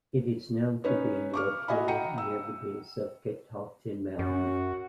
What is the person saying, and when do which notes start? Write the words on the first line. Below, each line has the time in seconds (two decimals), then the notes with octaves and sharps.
It is known for being located near the base of Catoctin Mountain.
0.84 C#4 D#4 B4 C#5
1.34 C#6 D6 F6
1.68 F#4 D#5 E5 G#5 B5
1.88 F#5 G5 A#5 C#7 D#7
2.18 E6
4.19 F#2 C#4 F#4